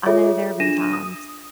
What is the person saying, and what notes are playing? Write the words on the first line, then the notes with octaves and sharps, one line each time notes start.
I know there have been times
F4 G#4 A4 C#5 E5
D4 A#6 D#7 E7
D#6